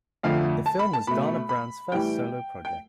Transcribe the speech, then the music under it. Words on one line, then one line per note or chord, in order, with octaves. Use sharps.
This film was Dana Brown's first solo project.
F2 D3 F3 A3 F5
A5
B5
A5
B2 A3 B5
B5
A2 E3 G3 G5
G5